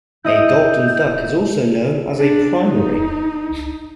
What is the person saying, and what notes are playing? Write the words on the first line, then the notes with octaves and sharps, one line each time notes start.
A "golden duck" is also known as a "primary".
E4 D#5 D#6 G6
D4
D#4